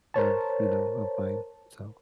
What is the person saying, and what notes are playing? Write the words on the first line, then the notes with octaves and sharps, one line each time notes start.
of, you know, of mine, so
A#4 C5 C#5 A5